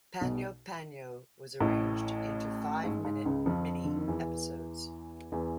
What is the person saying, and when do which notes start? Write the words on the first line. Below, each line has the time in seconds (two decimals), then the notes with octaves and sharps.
Panyo Panyo was arranged into five-minute mini episodes.
0.21 B1 B2
1.60 A1 A2
2.84 G#2
3.05 G#2
3.25 C#2 C#3
3.46 F2 F3
3.84 D3
3.96 D#3
4.08 E2 E3
5.32 E2 E3